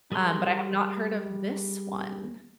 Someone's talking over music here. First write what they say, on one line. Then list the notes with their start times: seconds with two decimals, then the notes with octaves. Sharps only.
um, but I have not heard of this one.
0.12 G3 G#4 A#4 C6 F6